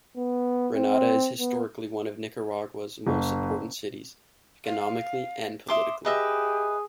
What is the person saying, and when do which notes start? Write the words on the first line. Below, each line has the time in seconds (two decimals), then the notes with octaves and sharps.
Granada is historically one of Nicaragua's most important cities, economically and politically.
0.17 B3
0.75 C4
1.39 B3
3.07 F#1
4.65 F5
5.68 E5 C6 D6 D#6
6.05 G4 G#4 B4 D#5 E5